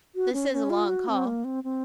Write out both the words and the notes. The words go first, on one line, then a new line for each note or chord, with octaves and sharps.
'This is a long call.
F#4
C#4
C#4
F4
F#4
C4
A#3
C4
C4